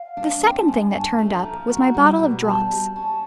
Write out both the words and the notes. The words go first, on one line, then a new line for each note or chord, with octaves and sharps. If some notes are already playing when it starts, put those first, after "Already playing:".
The second thing that turned up was my bottle of Drops.
Already playing: F5
D4
C4 G5
A5
G2 G#5
G#5
C#4 A5
A3
F3 A#5
F#4
G3
B2
G3 A5
G3
C#4 A5